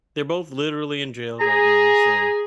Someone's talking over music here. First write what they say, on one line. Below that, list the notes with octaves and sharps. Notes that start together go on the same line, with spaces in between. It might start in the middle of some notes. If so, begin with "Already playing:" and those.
they're both literally in jail right now, so,
G#4 A#5